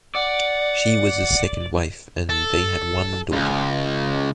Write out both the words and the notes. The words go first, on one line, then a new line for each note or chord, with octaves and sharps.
She was his second wife and they had one daughter.
D5 F#5
A4
C#2